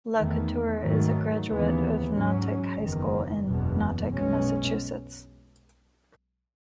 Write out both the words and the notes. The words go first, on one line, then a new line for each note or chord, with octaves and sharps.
LaCouture is a graduate of Natick High School in Natick, Massachusetts.
E2 D#3 A3
G#2 D#3 F#3 A3
D#2 C#3 E3 B3
G#2 F#3 C#4
F#1 E2 D#3
F#1 E2 B2
B1 B2 G#3 C#4